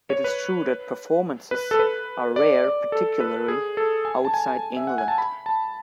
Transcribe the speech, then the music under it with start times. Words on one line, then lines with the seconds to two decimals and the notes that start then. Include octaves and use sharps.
It is true that performances are rare, particularly outside England.
0.10 C#5
0.24 B4
1.51 B4
1.71 A4
1.79 B4
2.36 D5
2.64 D5
2.92 A4
3.20 B4
3.48 G#4
3.77 A4
4.05 G#5
4.25 A5
4.34 G#5
4.48 G#5
4.77 E5
4.87 F#5
4.98 G#5
5.08 A5
5.18 B5
5.46 A5